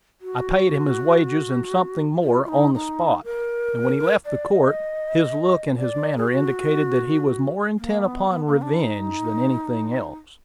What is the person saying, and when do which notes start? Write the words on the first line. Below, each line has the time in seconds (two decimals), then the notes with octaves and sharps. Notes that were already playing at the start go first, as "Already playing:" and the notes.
I paid him his wages, and something more, on the spot; and when he left the court, his look and his manner indicated that he was more intent upon revenge than anything else.
0.21 F#4
2.23 F4
2.45 F4
2.48 D#4
2.74 D#4
3.24 A#4
4.25 D5
4.51 D#5
5.77 D5
6.17 G#4
6.27 F#4
7.79 A#3
8.04 B3
8.29 B3
8.46 A#3
8.62 D4
8.79 D#4